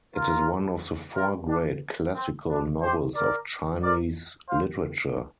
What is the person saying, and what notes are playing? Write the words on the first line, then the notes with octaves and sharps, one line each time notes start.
It is one of the Four Great Classical Novels of Chinese literature.
F4 A#4
F4 A#4
D4
C4
D4
G4 C5
A#4 D5
A#4 D5
C5 F5